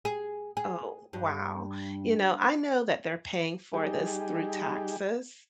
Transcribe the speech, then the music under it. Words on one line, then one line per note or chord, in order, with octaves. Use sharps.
"Oh wow," you know, I know that they're paying for this through taxes,
G#4
G#4
G2
G3 D#4 G4 G#4